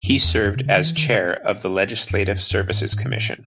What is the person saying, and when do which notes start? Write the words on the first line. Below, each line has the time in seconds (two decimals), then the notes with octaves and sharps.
He served as Chair of the Legislative Services Commission.
0.03 F#2
0.24 E2
0.45 F#2
0.56 C3
0.65 C#3
0.76 D#3
0.86 E3
0.97 D#3
1.07 C3
2.10 F#2
2.51 F#2
2.71 G#2
2.92 G#2
3.04 C3
3.13 A2